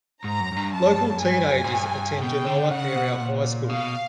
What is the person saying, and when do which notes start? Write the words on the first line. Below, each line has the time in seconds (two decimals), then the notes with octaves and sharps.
Local teenagers attend Genoa Area High School.
0.24 G#2 A#5
0.40 F#2
0.52 F#2
0.56 G2
0.73 F#2 A5
0.86 F#2
0.97 G2
1.10 F#2
1.22 G2 G#5
1.47 F#2
1.64 G#2
1.72 G2
2.21 B2 G5
2.46 D3
2.70 C#3 F#5
2.96 B2
3.20 A#2
3.69 B2 F5